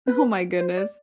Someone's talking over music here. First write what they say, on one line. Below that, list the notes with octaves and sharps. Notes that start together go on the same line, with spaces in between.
Oh my goodness.
B4
C5
D5